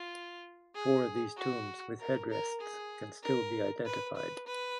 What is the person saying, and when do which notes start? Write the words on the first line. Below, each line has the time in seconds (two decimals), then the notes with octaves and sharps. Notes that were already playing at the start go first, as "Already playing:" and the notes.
Four of these tombs with headrests can still be identified.
Already playing: F4
0.75 G#4
1.37 F#4
2.00 A#4
2.30 A#4
2.61 G#4
3.23 A#4
3.85 B4
4.16 B4
4.47 B4